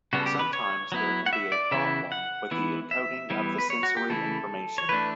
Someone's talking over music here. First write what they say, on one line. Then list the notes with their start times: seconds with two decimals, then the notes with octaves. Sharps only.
Sometimes there can be a problem with the encoding of the sensory information.
0.13 C#3 G3 B3 F#4
0.20 A4
0.26 G4
0.39 B4
0.53 C#5
0.92 F#3 B3 E4
1.26 F#5
1.33 E5
1.52 D5
1.71 C#3 E3 B3 E4 E5
2.12 F#5
2.51 E3 B3 E4
2.91 E5
3.30 E3 G3 B3 E4
3.58 B4
3.70 C#5
3.83 F#4
3.97 G4
4.10 C#3 E3 A3 E4 A4
4.78 C#5
4.89 E3 A3 D4 B4